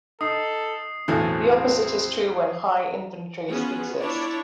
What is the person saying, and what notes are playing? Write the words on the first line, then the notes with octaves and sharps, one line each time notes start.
The opposite is true when high inventories exist.
D#4 A4 D#6 C7
B1 E2 A2 C4 F#4 A4 G#5
B3 C#4 F4 F#4 G#4
D4 E4 F4 C#5 D5